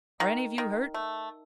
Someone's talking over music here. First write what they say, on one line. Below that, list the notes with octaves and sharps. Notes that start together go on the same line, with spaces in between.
"Are any of you hurt?"
D#3
D#3
A3